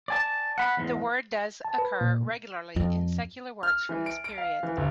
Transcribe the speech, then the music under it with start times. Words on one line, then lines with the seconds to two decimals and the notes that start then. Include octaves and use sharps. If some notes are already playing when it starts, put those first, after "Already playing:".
The word does occur regularly in secular works from this period.
0.08 D5 G#5 A5
0.58 F#5 B5
0.77 E2 G#2
1.65 A5
1.78 B4
2.01 A#2
2.76 F2
3.63 F6
3.89 E3
4.06 D7
4.24 D7
4.38 F5
4.63 E3
4.77 G1